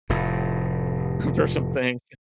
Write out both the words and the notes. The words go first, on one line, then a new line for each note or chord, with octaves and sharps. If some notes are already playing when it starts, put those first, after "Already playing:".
for some things.
F1 A2